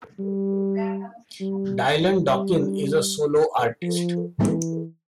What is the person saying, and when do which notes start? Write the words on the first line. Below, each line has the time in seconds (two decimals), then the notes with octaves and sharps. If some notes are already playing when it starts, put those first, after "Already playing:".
Dylan Donkin is a solo artist.
0.19 G3
1.40 G3
2.01 G3
3.82 F3
4.41 E3